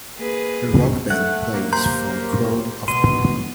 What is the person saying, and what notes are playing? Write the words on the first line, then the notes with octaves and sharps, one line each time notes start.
A rock band plays for a crowd of people.
A#3 G#4 B4
A3 F#5
A#3
A#3 G4 C5 A#5
B2 C6 D#7